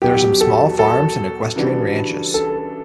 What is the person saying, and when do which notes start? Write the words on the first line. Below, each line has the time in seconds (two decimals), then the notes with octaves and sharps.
There are some small farms and equestrian ranches.
0.02 E2 B2 F#3 G4
0.41 A4
0.79 A4
1.56 C#3 E3 G3 D4 F#4
2.34 A4